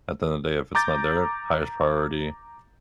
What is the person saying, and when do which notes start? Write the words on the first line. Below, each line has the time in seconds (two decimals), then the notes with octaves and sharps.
at the end of the day, if it's not there, highest priority,
0.75 A#5 D6 G6 A6